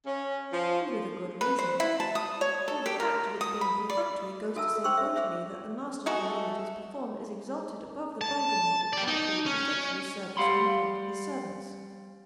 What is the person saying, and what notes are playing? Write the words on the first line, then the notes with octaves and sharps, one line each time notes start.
And with a good reason, for the fact of its being perfunctory goes to say pointedly that the master for whom it is performed is exalted above the vulgar need of actually proficuous service on the part of his servants.
C#4
F3
B4
C5
E4
A5
D#6
C#5
A4
G4
A#4
D#6
B5
D5
F#4 A4 E5 A5 A#5 E6
C5 G5 C6 C#6 E6
E5
G#4 C5 E5
G#3 A3 F#4 A4
A5
G4 D5
D#4
C#4
G3 G4 F5 F#5 B5 C6